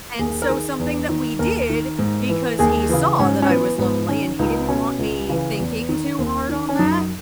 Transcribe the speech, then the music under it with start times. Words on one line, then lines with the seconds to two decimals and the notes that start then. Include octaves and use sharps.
and so something that we did because he saw that I was lonely and he didn't want me thinking too hard on that,
0.19 D#2 G#4
0.42 A#4
0.49 D#3 G#4
0.79 E2
1.09 D#3
1.39 D#2 A#4
1.70 D#3
1.99 G#2
2.29 E3
2.59 D#2 G#4
2.89 C#3 E3
3.19 G#2 C#4
3.42 C#4
3.49 E3 B3
3.78 G#2 B3
4.08 D#3 C#4
4.39 C#2 D#4
4.69 B2 C#4
4.99 C#2
5.29 C#3 E3
5.59 E2
5.89 D#3
6.19 D#2
6.49 D#3
6.69 C#4
6.79 F#2 D#4